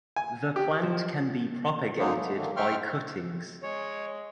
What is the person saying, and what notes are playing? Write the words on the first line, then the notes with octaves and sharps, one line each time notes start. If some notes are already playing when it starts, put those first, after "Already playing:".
The plant can be propagated by cuttings.
G#5
G4
F3
D3 F#3 G#3 A#3 D#4
A3 B3
D3 D#3 F#3 A3 A#3
E5 G5 C6 C#6 F6
G#3 C#5